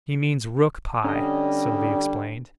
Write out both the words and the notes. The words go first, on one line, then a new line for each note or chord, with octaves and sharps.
"He means rook-pie," Sylvie explained.
D3 G3 C#4 D#5